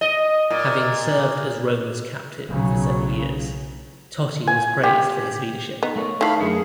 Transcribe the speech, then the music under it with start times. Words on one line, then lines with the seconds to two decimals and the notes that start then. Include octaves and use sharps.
Having served as Roma's captain for several years, Totti was praised for his leadership.
0.01 D#5
0.50 A#2
2.50 B1 C#3 F#3
4.47 G#5
4.83 G4
5.83 B3 D#4
5.96 A3 A#4 C#5
6.21 D#3 E3 F5 A5 B5
6.40 F#2 D3 A3 G#4 A#4